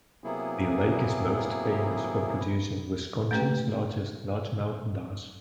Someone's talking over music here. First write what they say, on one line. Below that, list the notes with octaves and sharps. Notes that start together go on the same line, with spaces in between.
The lake is most famous for producing Wisconsin's largest largemouth bass.
C3 F#3 A#3 B3 E4 G#4
A3 A#3 C#4 G4 B4 G5